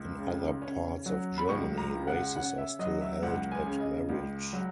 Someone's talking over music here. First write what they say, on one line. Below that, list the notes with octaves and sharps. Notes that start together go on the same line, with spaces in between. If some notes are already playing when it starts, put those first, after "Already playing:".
In other parts of Germany races are still held at marriage.
Already playing: C#2
C#3
C#4
F#3
B5
C#2 C#6
A#5
C#3
F#5
C#4 F#5
E5
F#3 D#5
E5
C#2 F#5
G#5
C#3
D#5
C#2
F#3